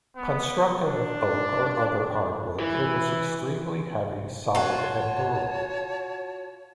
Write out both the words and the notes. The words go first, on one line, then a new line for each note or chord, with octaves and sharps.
Constructed of oak or other hardwood, it was extremely heavy, solid, and durable.
B3
D4
E3
F4 F#4 C#5 A5